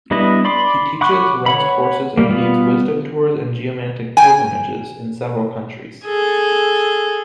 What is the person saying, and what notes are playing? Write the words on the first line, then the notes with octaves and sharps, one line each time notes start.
He teaches, runs courses and leads wisdom tours and geomantic pilgrimages in several countries.
G3 B3 D4 E4 D#5
D5 B5 C6 D6
F#5 B5 C#6 D6 F#6
C#5 F#5 B5
G3 A#3
G3 B3 F4
G5 G#5
G#4 A4